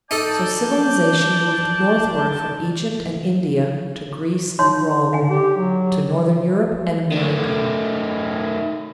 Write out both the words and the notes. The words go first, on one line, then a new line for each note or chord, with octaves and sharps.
So civilization moved northward from Egypt and India to Greece and Rome, to northern Europe and America.
D#4 A4 D5 A5 G6
D#4 C#5 C6
D3 F#5 G#5
G4
F#3
D#3 A3